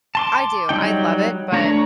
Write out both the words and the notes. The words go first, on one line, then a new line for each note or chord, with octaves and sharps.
I do, I love it, but
A5 C6 D6
F#3 G3 D#4 G5
A3 D4 C#5 A#5